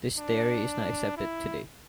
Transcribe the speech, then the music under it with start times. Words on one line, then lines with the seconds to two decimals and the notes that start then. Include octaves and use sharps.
This theory is not accepted today.
0.18 D4
1.17 E4